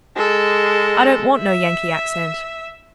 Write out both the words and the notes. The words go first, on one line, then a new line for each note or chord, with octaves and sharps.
I don't want no Yankee accent.
G#3 A4
E5